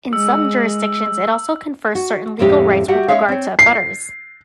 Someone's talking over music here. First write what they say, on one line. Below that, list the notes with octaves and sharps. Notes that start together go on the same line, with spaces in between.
In some jurisdictions, it also confers certain legal rights with regard to abutters.
G#3 E6
F#4
F2 A2 D3 G#3 C#4 G4
G3 F#4 G4 E5 F#5
G#3 C#4 C#5 E5 F5
C4 C#5
C7